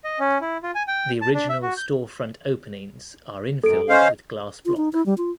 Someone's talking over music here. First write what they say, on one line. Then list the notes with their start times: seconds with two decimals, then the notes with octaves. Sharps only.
The original store front openings are infilled with glass block.
0.04 D#5
0.19 C#4
0.41 E4
0.63 F4
0.75 G#5
0.88 G5
1.22 A5
1.34 D4
1.49 E5
1.62 F#4
1.77 G6
3.64 F#2 A4 D7
3.89 C#4 C5 D#5 F5
4.65 F4
4.77 D#4
4.93 E4
5.06 G3
5.18 F4